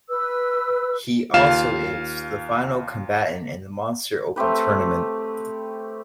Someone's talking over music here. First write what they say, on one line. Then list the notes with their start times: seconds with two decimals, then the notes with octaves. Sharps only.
He also is the final combatant in the Monster open Tournament.
0.10 B4 E6
1.34 D#2 F4 F5 E7
4.36 A3 C4 G4 B4